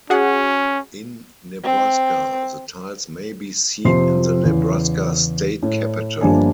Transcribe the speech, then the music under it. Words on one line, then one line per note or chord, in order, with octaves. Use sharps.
In Nebraska, the tiles may be seen in the Nebraska State Capitol.
C#4 F#4 G#4 F#5
C4
F2 C3 C4 F4 C6 C7
E2 C#3
A2
G1 F3 G3 A#3 D4 G#5